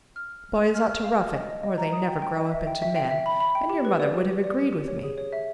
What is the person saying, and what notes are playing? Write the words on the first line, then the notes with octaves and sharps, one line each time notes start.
Boys ought to rough it, or they never grow up into men, and your mother would have agreed with me.
F6
F6
F6
C6
F6
F6
F5
F6
D#5
D#5
D#5
A#5
D#6
G5
G5
D#5
E5
G5
E5
G5
E5
B5
B5
G5
G4
B4
D5
G4
G4
D5
G4
G4
C#5
G#4
C#5
E5